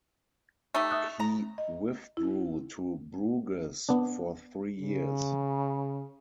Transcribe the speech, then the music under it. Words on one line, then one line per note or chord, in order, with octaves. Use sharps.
He withdrew to Bruges for three years.
A3 D#4 G4
E5 D#6 F#6
A#5
D#5
E4
B3 D4
C#3